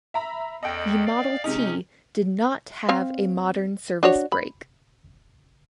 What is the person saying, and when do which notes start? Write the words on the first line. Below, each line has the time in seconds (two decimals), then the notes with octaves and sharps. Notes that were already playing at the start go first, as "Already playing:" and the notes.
The Model T did not have a modern service brake.
0.14 E5 A#5 B5
0.63 E2 A4 D#5 G5 B5
1.06 D5 F5
1.44 C3 G#3 C#4 D#4
2.89 C4 F5
4.03 D4 F#4 C#5
4.32 B5